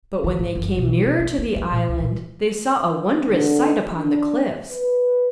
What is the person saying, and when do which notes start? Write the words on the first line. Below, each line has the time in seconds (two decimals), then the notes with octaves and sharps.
But when they came nearer to the island they saw a wondrous sight upon the cliffs.
0.24 D#3
0.39 G#2
0.55 F#1
0.76 B1
1.04 C3
1.19 A#3
1.38 C#4
1.56 G3
1.71 A#2
1.88 C#2
2.00 A#2
3.29 D3
3.94 D4
4.70 B4